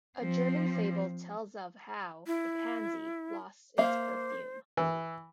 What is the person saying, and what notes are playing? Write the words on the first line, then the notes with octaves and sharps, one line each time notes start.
A German fable tells of how the pansy lost its perfume.
F3 C4
E4
A#3 C5 E5 F5
E3